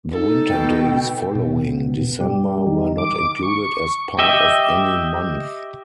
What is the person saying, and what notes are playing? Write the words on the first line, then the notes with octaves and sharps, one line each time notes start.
The winter days following December were not included as part of any month.
D#4 A4
B2 G5
B2
G3
D#3
D6
C#6
G4 D#5 E5